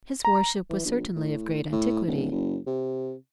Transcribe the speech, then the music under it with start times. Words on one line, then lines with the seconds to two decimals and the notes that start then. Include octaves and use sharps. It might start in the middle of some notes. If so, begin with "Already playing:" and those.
His worship was certainly of great antiquity.
0.25 A#5
0.70 E3
0.85 A#1
1.16 A2
1.72 A2
2.07 D1
2.31 F#1
2.67 C3